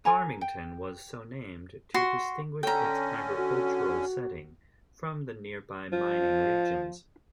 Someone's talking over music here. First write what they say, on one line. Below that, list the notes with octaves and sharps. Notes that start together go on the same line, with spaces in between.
Farmington was so named to distinguish its agricultural setting from the nearby mining regions.
A4 G#5 A#5
G5
F#4 C6
D3 C#4 A4 G5 A#5
F#4
F3